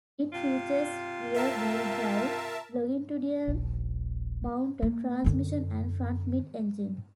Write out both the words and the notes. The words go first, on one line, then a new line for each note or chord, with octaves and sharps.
It features rear wheel drive, longitudinal-mounted transmission and front-mid engine.
C3 F4
A#4 E5 A5
D#1 A#1
A#3
F#2 D3